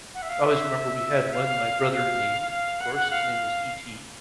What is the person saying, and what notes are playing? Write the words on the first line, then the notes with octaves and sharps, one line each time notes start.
I always remember we had one my brother named, of course, his name was ET
F#5
E5
F5
E5
F5
F5
F5
F#5
F#5
F5